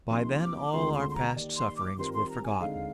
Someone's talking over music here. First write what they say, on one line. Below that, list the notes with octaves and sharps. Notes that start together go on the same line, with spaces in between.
By then all our past sufferings were forgotten.
C3 F3 A#3 D#4 C6
C6
D6
D2 D3 G#3 C4 F4 C6
C6
C6
A#5
D#3 A#3 D#4 G4 D5
C6
D6
D#3 G3 C4 F4 A#4 C6
C6
A#5
G#5
D3 G#3 C4 D#4 F5